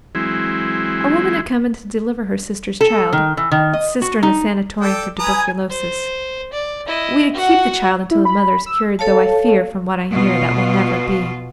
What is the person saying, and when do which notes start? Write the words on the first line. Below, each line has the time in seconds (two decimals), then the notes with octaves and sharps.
A woman had come to deliver her sister's child--sister in a sanatorium for tuberculosis; we to keep the child until the mother is cured, though I fear, from what I hear, that will never be.
0.15 E3 F#3 G#3 C4 E4
2.81 A4
3.13 D#3
3.37 E3
3.52 D#3
3.73 D#5
4.02 F#4
4.23 D#4
4.80 A4 D5 G5
5.19 B4 G#5 A#5 D#6
5.70 C5
6.53 D5
6.87 E4 D#5
7.33 F#4 F#5
8.11 E4
8.25 B5
8.66 E6
8.99 A4 C#5 F5 A5
10.10 B2 F4